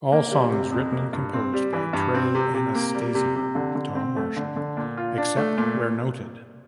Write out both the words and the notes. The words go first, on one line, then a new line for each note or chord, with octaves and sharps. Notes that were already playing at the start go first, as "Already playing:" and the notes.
All songs written and composed by Trey Anastasio, Tom Marshall, except where noted.
A#3
G3
C3
F2
A#3
G2
C4
G3
E3
G2
C4
C3
C3
A#3
G3
C3
C3
D3
D3
C4
A3
D3
D3
A#2
F4
D4
A3
A#2